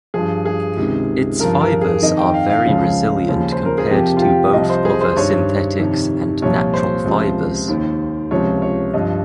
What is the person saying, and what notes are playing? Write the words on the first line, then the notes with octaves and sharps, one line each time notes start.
Its fibers are very resilient compared to both other synthetics and natural fibers.
G2 F3 G#4
G#4
C#2 C3 D#3
G2 F3 A#4
A#4
G#4
F2 D#3 D#5
G5
F5
F5
C#2 C#3 F3
D#2 C#3 F3
C5
A#4
G#4
F2 C3 F3 G4
F4
G4
C2 C3 F3 D#5
C5
G#4
C5
G2 D#3 C#5
F2 C3 D#3
C2 A#2 F3 C#5
C5
C#2 C3 F3
D#2 D#3
C#2 C3 F3 C#5
C#5
G2 F3 D#5